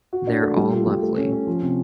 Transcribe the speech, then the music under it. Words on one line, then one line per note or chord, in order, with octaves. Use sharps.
They're all lovely.
F#4
D4
A3
G3
F4
G3
A3
C#4
C#4
F3
C3